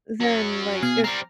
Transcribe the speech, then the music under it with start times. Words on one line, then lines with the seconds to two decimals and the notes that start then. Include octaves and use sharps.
then, like, if
0.21 F#3 C#4
0.83 B2 G#4 F5 G#5
1.04 G3 C4 A#5 F6